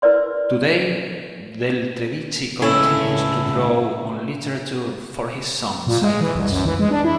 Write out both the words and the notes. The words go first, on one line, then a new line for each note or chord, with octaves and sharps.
Today, Del Tredici continues to draw on literature for his song cycles.
E4 A#4 B4 D5 C6
C#2 A2 C#4 E4 A4
A#2
G#3
E3
C2
F#2
E3
G#3
D4
E4